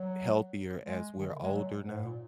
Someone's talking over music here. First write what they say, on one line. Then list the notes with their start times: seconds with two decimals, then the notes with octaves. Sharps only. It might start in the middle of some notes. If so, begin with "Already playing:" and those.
healthier as we're older now,
Already playing: F#3
0.83 G#3
1.18 D#3
1.27 C#3
1.43 G#3
1.52 F#3
1.86 G#2
2.03 A#2